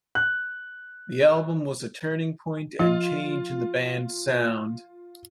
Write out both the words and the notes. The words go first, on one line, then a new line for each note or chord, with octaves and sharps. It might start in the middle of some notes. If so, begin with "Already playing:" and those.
The album was a turning point and change in the band's sound.
F#6
F3 F4